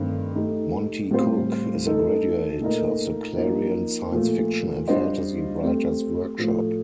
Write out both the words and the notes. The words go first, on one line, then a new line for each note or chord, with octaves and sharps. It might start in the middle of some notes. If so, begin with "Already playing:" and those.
Monte Cook is a graduate of the Clarion Science Fiction and Fantasy Writer's Workshop.
Already playing: G2 D#3 A3 C4
A3 D#4 G4
A2 G3 C4 F4 C5
A3 D#4 A4
A#2 A3 D#4 A#4 D#5
F3 A#3 D#4
A#2 F3 A3
G3 D4 F4 C5 D#5
A3 C4 G4
A2 F3 A3